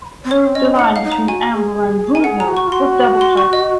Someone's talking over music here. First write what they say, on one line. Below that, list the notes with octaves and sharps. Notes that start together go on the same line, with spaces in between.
The line between Amble and Broomhill was double-track.
C4
C#4 C#5
C4
C#4 D#5
C#4
D#4 F#5
F5
D#4
A#5
F#4 G#5
G#4
A#4 G#5
G#4 F#5
A#5
F#4
C#6
F4
F#4 C6
C6
C#6
D#5